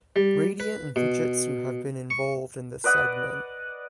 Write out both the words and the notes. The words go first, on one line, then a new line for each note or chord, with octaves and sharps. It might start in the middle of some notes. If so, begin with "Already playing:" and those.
Radiant and Fujitsu have been involved in this segment.
G3
B4
B2
C#6
B4 D5 D#5 F#5